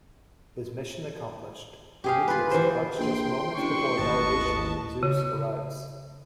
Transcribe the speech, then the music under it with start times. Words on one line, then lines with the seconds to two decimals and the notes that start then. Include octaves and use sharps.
His mission accomplished, Prometheus departs just moments before a delegation from Zeus arrives.
2.04 G4 G#4 F5
2.28 F4 B4
2.51 E3 C5
2.98 A#1 G5 C6
3.57 A1 C4 D4 C#6
3.98 G#1 D#2 B4 D#5 A5
5.03 C#3